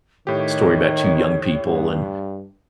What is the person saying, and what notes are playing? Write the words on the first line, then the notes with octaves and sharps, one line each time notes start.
story about two young people, and
A2 D#3 G4 C#5
G2